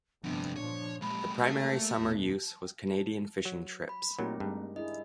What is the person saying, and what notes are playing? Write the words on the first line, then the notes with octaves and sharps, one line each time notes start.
The primary summer use was Canadian fishing trips.
G1 F2 C3 B3 D4
A#2 F3 C#5
G3 G#3 A#3 B5
A3 A#3
E2 B2
F#3
B5
A#2 F#3 A3 C4 D#4 G4 A#4
G2 G3 G#3
D4 E4 G#4 D#5